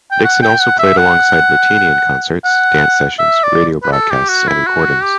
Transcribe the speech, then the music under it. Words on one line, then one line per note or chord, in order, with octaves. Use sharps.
Dixon was also playing alongside Bertini in concerts, dance sessions, radio broadcasts and recordings.
G5
F#5
G5
F#5
E5
F#5
F#5
E5
D5
B4
A4
G4
F#4
E4
F#4
G4